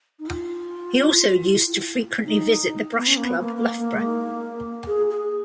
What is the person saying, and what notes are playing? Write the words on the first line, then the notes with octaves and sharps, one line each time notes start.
He also used to frequently visit the Brush club, Loughborough.
D#4
F4
D#4
B3
C#4
A#3
B3
A#3
A#3
A#3
G#3
A#3
G#4
G#4